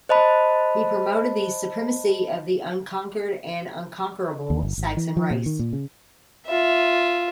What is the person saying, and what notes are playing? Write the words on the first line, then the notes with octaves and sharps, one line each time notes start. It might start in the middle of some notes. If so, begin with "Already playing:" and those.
He promoted the supremacy of the unconquered and unconquerable Saxon race.
C5 D#5 A5 B5
D#2
G1
G#1
E3
F3
A#2
D#3
A#2
C#3
F4 E5